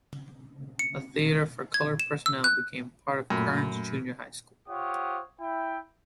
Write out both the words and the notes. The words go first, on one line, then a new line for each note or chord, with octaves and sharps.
A theater for "colored personnel" became part of Kearns Junior High School.
C#7
G#6
E7
E6
F#6
F#2 A#2 A3 B5
F4 G4 C5 C#5 F#5 D#6
E4 G5